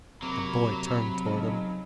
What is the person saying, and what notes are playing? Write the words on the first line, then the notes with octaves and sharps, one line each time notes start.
The boy turned towards him.
C3 F#3 A#3 A#4 B5
C#3 D#4 A4